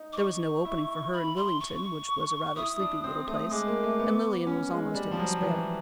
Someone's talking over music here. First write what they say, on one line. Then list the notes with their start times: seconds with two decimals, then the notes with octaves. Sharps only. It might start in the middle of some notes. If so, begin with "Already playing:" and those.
There was no opening for her in Willington, which was a rather sleepy little place, and Lilian was almost in despair.
Already playing: D#4
0.13 D6
0.17 C#6
0.65 E4
1.13 B5
1.36 C6
1.60 C#6
2.56 E4 D#6
2.80 D4
3.04 C4
3.27 A3
3.51 G#3 D6
3.67 A#3
3.84 A3
4.00 B3
4.47 C#4
4.71 G#3
4.94 G3
5.11 F3
5.19 F#3
5.42 E3